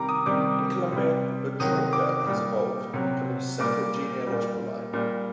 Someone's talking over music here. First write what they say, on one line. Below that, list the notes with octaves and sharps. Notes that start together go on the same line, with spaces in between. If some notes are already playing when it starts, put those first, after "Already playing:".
In Colombia the "trocha" has evolved, becoming a separate genealogical line.
Already playing: C3 D#3 G3 A#5 D6
D#6
C3 D#3 G3 D6
C3 G3
C3 D#3 F#3 D#6
D6
A#2 G3
C3 F#3
A#2 G3 D6
A#2 G3
A#2 G3